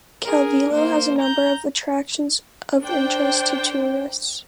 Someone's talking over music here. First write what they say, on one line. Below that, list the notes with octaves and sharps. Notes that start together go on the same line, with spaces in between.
Calvillo has a number of attractions of interest to tourists.
G#4 A#4
A#3 C5
A#5 G6
D4 C5 G5